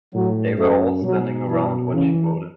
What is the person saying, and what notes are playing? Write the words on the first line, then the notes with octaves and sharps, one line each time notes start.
They were all standing around when she wrote it.
A2 F#3
F#2 A3
B2 F#3
E3
C#3 E3